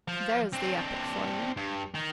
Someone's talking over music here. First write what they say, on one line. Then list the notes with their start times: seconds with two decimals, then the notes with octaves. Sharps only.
There's the epoch for you.
0.08 F3
0.53 C4 D4
1.57 G2
1.95 D#3